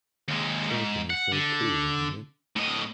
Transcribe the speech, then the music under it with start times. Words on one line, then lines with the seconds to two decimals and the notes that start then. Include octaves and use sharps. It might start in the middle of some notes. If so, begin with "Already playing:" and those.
Surfing is so cool, isn't it?
0.28 D#2 G#3
0.70 G#2
1.10 F#5
1.32 D3
2.56 A2 D#5